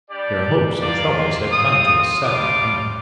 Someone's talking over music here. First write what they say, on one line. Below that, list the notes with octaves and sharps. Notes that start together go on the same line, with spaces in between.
Their hopes and troubles had come to a sudden end.
G3 D4 G4 D5
A#3 D4 F4 D5
C6
C4 F4 D#6
G3 D4 F4 D6